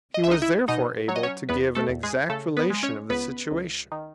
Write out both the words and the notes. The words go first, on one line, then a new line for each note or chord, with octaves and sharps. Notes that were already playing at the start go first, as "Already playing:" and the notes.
He was therefore able to give an exact relation of the situation.
D#5
E5
C#2 D#4 D#5
E4 E5
B2 D#4 D#5
F#3 C#5
D#5
C#4 C#5
E2 B3 B4
A3 A4
E2
G#3 G#4
C#3 A3 A4
B3 B4
G#3
C#4 C#5
C#2 B3 B4
C#2
D#3